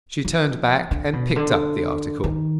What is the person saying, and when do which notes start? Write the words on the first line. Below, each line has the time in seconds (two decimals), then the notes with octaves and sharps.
She turned back and picked up the article.
0.25 F3
0.91 D3
1.13 B2
1.36 D3
2.24 D#3